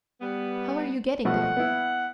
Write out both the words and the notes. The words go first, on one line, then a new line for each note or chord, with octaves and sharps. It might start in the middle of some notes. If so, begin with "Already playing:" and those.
"How are you getting there?"
G3 B3
B2 F3 A3 F#5
B3 E4